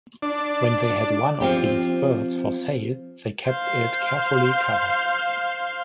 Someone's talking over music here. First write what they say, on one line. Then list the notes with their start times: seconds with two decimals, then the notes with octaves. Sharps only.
When they had one of these birds for sale they kept it carefully covered.
0.22 D4
1.41 F3 C4 G4
3.47 C5 F5